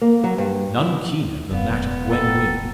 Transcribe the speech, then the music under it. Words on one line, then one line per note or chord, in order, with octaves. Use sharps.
None keener than that of Gwen Wynn.
A#3
F#3
G2
E4
E1 F#2 B3 D5 F5
A4 G5 A#5